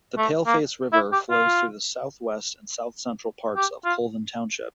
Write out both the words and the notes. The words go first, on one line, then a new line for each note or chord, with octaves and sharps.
The Paleface River flows through the southwest and south-central parts of Colvin Township.
A3
A#3
E4
G4
F4
G4
F4